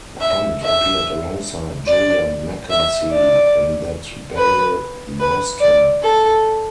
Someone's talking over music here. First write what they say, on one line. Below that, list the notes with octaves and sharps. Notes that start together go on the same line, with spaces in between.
Hunt appeared alongside Julia McKenzie in That Beryl Marston...!
E5
E5
D5
E5
D5
B4
B4
D5
A4